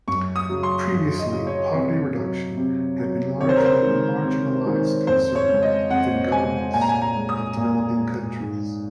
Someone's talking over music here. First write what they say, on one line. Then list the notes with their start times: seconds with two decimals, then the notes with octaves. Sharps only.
Previously, poverty reduction had been largely a marginalized concern within governments of developing countries.
0.08 F#2 C#6
0.36 D#6
0.49 C#3 F#3
0.63 C6
0.91 F#2
1.19 D#5
1.32 C#3 F#3
1.47 C#5
1.74 C3
2.16 F#3
2.57 C3
2.99 F#3
3.41 C3 C#5
3.49 C5
3.56 A#4
3.65 C5
3.82 D#3 G#3
4.24 C3
4.65 D#3 G#3
5.07 F2 C5
5.35 C#5
5.49 C#3 G#3
5.63 D#5
5.90 F2 F#5
6.32 C#3 G#3 G#5
6.74 A#2 G#5
6.81 A#5
6.89 G#5
7.02 A#5
7.15 G#3
7.29 D#6
7.57 A#2
7.98 G#3
8.40 G#2